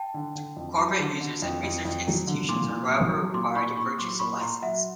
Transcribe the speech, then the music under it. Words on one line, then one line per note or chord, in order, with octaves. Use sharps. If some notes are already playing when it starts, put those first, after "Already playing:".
Corporate users and research institutions are however required to purchase a licence.
Already playing: G5 A5
D3
D3
F2
F#3 A5 B5
D3
D3
F2
F2
F2
F#3
D3
A#2 C6 D6
A#2
F#3
F#3
A#2 C6 D6
A#2 B5 C#6
A#2 B5 C#6
F#3 C6 D6
A#2 B5 C#6
A#2 A#5 C6
F#3 E5 F#5